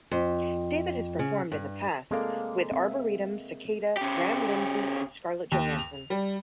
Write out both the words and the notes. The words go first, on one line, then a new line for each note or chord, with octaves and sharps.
David has performed in the past with Arbouretum, Cicaeda, Graham Lindsey, and Scarlett Johansson.
F2
C#3
G2
G#3 A#3 C4 A4 D5 F5
C4 E5
C#3 G4
D#2
F7
G3